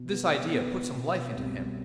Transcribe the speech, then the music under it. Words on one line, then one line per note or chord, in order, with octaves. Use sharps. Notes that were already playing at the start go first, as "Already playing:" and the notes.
This idea put some life into him.
Already playing: B2
B3
B3
B2
C2